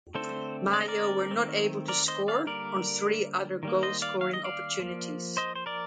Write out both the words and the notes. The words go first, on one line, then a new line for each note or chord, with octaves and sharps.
Mayo were not able to score on three other goal scoring opportunities.
D3 A3 C4 A4 C5
D5
D#5
A#4 D5
D#3 A3 C4
A#4 D5
C5 D#5
D5 F5
D3 G3 A#3 A#4 D5
D#3 G3 A#3
C5 D#5
D5 F5
F5
D#5
D5 F5
F3 A#3
C5 D#5
C5
A#4 D5